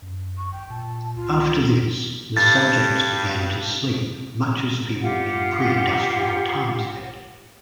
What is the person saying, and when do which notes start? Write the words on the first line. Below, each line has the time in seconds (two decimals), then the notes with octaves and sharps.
After this the subjects began to sleep much as people in pre-industrial times had.
0.02 F#2
0.38 C#6
0.52 G#1 G5
0.70 A#2 A5
1.16 C#2 F4
1.53 F#3
2.37 G2 A6
5.02 F4 G4 F#5